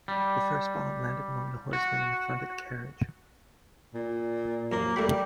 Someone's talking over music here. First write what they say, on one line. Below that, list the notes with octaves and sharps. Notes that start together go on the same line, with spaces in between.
The first bomb landed among the horsemen in front of the carriage.
G3
F#4
A#2
F#2 F3 A#3
G3 A3 B5